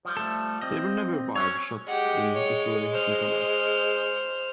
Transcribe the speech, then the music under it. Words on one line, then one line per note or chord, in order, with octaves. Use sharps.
They were never wired shut in Italy in combat.
F3 G3
A3 A4
C4 D#5
F#3 C#4 C#5
G#3 G4 F#5
C#5
C5 F6